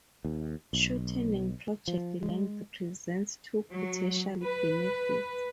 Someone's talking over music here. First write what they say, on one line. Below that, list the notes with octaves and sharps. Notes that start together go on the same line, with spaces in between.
Shortening project length presents two potential benefits.
D#2
B1
F3
G#3
F#3
B4